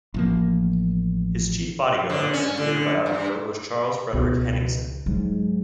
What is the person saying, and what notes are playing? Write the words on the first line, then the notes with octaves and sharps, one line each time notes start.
His chief bodyguard, and later biographer, was Charles Frederick Henningsen.
A1 F3 A#3
D3
C#4
D3
G2
C#2 B2
G#2 F#3